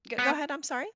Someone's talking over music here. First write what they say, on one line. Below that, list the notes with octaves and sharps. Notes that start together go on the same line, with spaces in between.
G go ahead. I'm sorry.
B3